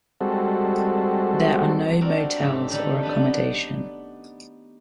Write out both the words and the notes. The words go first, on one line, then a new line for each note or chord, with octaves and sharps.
There are no motels or accommodation.
G3 G#3 C4 F#4 A4
C4 D4 F#4 A#4
G#2 C#3 A3 C4 G4
D3 D#3 D#4 A4 B4
B3 D4 D#4 B4